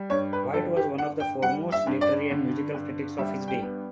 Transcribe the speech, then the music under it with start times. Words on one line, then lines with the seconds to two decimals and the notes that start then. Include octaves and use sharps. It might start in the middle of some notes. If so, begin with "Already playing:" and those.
White was one of the foremost literary and musical critics of his day.
Already playing: G3
0.10 G2 C#5
0.33 B4
0.54 D3 A4
0.76 G4
0.98 G2 F#5
1.20 G5
1.42 G3 F#5
1.72 E5
1.87 G2
2.01 D5
2.31 D3
2.74 G2
3.18 G3 E5
3.48 G5
3.62 B3